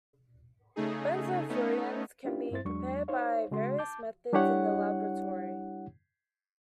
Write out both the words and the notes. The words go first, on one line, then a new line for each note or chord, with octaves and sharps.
Benzofurans can be prepared by various methods in the laboratory.
C#3 A3 D#4 G#4
A3 B3 C#4 D#4
C#4 D4 E4 F4 G4 B4
G2 C4 E4 C5 A6
E2 F#3 G#3 D4 C#6
D#4 C5 C#5 F5
C#3 G#3 F#4 C6
A5 D6 G6
G3 D4 E4 G4 C#5 F#5